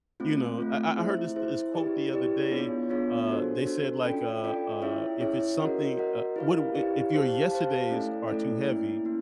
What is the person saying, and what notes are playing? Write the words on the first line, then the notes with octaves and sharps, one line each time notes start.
you know I I heard this this quote the other day, uh, they said like, uh, uh, "If it's something, uh what do i if your yesterdays are too heavy,
A3 C4 F4
A3 C4 F4
E4 G#4 C5 E5
E4 G#4 C5 E5
E4 G4 B4 D5
E4 G4 B4 D5
B3 D4 F4 G#4 C#5
B3 D4 F4 G#4 C#5
D4 F#4 A4 C5
D4 F#4 A4 C5
C#4 F4 A4 D5 G5
C#4 F4 A4 D5 G5
C#4 E4 G#4 C#5 E5
C#4 E4 G#4 C#5 E5
F#4 A#4 D#5 F#5
F#4 A#4 D#5 F#5
E4 G4 B4 D5 F5
E4 G4 B4 D5 F5
G4 C5 F5 A5
G4 C5 F5 A5
A3 C#4 E4 A4 D5
A3 C#4 E4 A4 D5
A#3 C#4 E4
A#3 E4